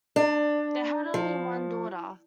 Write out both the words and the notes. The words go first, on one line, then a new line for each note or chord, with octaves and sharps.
They had only one daughter.
D4
F3